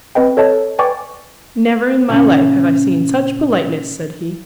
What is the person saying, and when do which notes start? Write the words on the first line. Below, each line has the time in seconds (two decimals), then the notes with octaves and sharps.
"Never in my life have I seen such politeness," said he.
0.15 C4 B4 D#5 G5
0.37 A4 C#5 D#5 A5
0.79 B4 D5 G5 G#5 C#6 D6
2.10 A#2 C#3 C#4